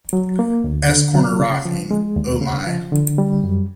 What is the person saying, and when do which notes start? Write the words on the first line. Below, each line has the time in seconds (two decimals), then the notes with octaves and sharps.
"S-Corner Rock", and "Oh My".
0.13 F#3
0.39 A#3
0.64 D2
0.89 D3
1.15 F#3
1.40 C#3
1.65 F3
1.91 G#3
2.16 D#2
2.42 C#3
2.66 F3
2.92 D3
3.18 G3
3.44 F#2